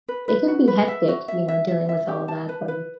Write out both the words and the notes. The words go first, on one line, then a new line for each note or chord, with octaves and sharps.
It can be hectic, you know, dealing with all that, but
B4
B4
F#4
B4
E5
F#4
E5
E5
E5
E5
G4
A5
B4
B4